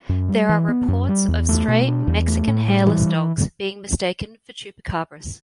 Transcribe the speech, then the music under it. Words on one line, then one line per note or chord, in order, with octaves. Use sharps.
There are reports of stray Mexican Hairless Dogs being mistaken for chupacabras.
F#2
G3
E3
B3
F#2
G3
E2
A3
B2
D4
E2
A3
A2
G3
E3